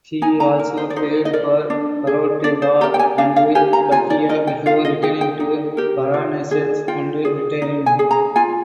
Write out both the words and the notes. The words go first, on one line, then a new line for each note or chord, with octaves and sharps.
He also played for Coritiba and Bahia before returning to Paranaense and retiring.
D#4 G#5
A#5
A#4
C5
D5
D#4 C5
D#5
A#4 D5
D4
G#4
D4 D5
C5
G4 A#4 A#5
G5
G#5
D4 F5
F5
G4 A#4 G#5
A#5
F4 G#5
D5
A#4 D#5
G5
F4 F5
D#5
G#4 G5
G5
D#4
G4 A#4
F4
G#4
F4 G5
G#4
D#4
G#5
G#4
A#5
F4 G#5